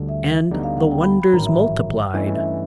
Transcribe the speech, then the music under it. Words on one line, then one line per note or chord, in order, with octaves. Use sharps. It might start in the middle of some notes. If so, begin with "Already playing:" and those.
And the wonders multiplied.
Already playing: D2 D3 G3
E5
D2 D3 G3 B3 D#4
F5
F#5
G5
B5
B5
A1 G#2 D#3 F#3 A#5
E5
E5
G2 E3 A3 C#4 D#5
E5